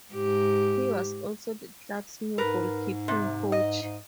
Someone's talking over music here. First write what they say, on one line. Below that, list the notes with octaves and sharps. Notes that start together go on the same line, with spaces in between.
He was also the club's new goalkeeping coach.
G#2 G4
G#2 A#4 B4
C3
D#5
G#2